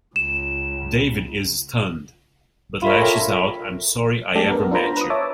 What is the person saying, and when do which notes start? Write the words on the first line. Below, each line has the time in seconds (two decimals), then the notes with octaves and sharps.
David is stunned, but lashes out I'm sorry I ever met you.
0.16 C#2 E7
2.82 F4 A#4 C#5 E5 B5
3.01 D4 A4 G5
4.35 G#3 A3 D4 G4 A4
4.49 B3 A#4
4.72 D4 F4 A#4 C5 A#5 B5
4.97 B4 D#6
5.10 C#5 E5 A5 D6